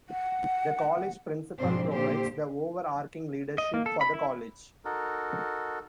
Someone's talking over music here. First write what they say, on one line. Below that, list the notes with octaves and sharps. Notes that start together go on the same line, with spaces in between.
The College Principal provides the over-arching leadership for the College.
F#5
F2 G#2 B2 C4 D4 C5
A#2 D3 G4 C5
D#5
A#3
A4
B5
E4
D#4 F#4 A4 A#4